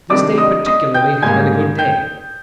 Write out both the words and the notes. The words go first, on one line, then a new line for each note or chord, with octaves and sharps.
This day particularly has been a good day.
C3 D#3 G3 D4 D5 D6
D#5 D#6
D#5 D#6
G5 G6
G#2 G3 A#3 G#5 G#6
G5 G6